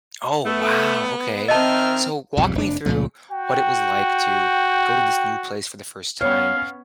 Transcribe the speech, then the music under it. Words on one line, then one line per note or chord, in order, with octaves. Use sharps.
Oh, wow, okay. So walk me through what it was like to go to this new place for the first time.
A3 B3
D#3 C4 D#5 E5 A5 F6
B1 F2 G#2 G3
F1 D4
C#2 A#2 F3 A3
F#4 G5
B3 C#4 C#5 F5